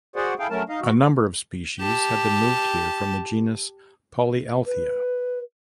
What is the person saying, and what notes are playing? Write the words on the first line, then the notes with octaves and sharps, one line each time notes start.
A number of species have been moved here from the genus "Polyalthia".
F#4 G#4 C5 D5 F#5
E4 G#4 A4 F5 G5
F#3 A3 C#4 A#4 A5
D#4 D#5 F5
F#4
G4 A5
B4